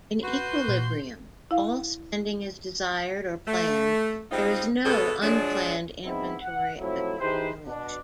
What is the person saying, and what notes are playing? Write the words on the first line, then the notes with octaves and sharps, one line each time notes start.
In equilibrium, all spending is desired or planned; there is no unplanned inventory accumulation.
F#4 B4 C6 G6
A#2
E4 F5
A3
G3 G#3 C4 D#4 F4
B2 G#3 B3 A4
F3 F#3 G#3 D4
G#3 B3 C4 D#4 E4
F#5
F3 F#3 A3 C4 E4
D#4 E4 G4 G#4 B4 C5
B2 D4